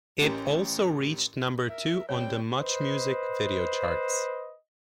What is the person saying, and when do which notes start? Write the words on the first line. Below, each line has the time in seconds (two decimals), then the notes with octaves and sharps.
It also reached number two on the "MuchMusic" video charts.
0.21 A1 C#4 G4 A#4
1.69 A#4 E5
2.09 G3 C4 C#5 G5
2.58 B4 C5 D#5